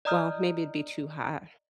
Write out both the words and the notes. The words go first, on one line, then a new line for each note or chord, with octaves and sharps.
well, maybe it'd be too hot,
D5 D#5 A#5 D#6 F6 G6